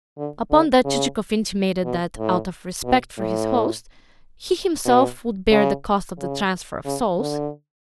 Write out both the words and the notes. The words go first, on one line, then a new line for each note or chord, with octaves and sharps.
Upon that Chichikov intimated that, out of respect for his host, he himself would bear the cost of the transfer of souls.
D3
D3
C#3
B2
A2
B2
A2
B2
C#3
C#3
C#3
D3